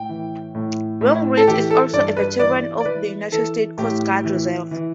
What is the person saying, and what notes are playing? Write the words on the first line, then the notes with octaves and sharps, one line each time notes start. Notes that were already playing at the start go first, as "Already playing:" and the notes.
Wainwright is also a veteran of the United States Coast Guard Reserve.
Already playing: A2 G5
E3
A2
A2
A4
E3 G4
A4
G2 D5
B4
E3 D5
D5
E3 B4
E3 A4
A2 G4
E3
E3